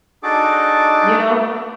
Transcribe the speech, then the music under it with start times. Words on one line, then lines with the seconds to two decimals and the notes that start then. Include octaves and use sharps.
You know?
0.23 D4 D#4 F#4 G#4 A4 D6